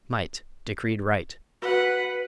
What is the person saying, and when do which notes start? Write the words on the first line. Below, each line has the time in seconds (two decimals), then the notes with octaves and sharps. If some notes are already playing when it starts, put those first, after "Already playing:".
Might decreed right.
1.62 F#4 B4 F#5